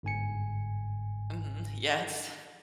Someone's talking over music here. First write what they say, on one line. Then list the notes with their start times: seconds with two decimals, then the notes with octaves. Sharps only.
Mhm. Yes.
0.03 G1 G#2 G#5 C#7